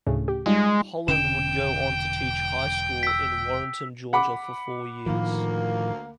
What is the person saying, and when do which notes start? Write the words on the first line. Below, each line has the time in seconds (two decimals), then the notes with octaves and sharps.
Holland would go on to teach high school in Warrenton, Georgia for four years.
0.07 D2 A2 C#3
0.28 G4
0.46 G3 G#3 D#4 F4
1.08 E1 D3 C#4 G5 E7
3.03 E6 B6
4.13 F#5 B5 D6
5.06 D2 A2 D#3 F3 A#3